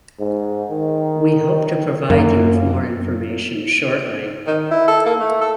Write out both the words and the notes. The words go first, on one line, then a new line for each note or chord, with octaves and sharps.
We hope to provide you with more information shortly.
G#2
D#3
F#2 A#3
D#3
E4
A4
A#3
A3
A4